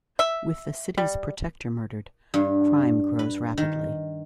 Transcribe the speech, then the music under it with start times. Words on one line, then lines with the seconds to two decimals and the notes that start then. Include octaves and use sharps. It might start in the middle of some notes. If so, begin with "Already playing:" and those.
With the city's protector murdered, crime grows rapidly.
0.19 E5
0.98 G3
2.34 G2
3.19 B4
3.58 D#3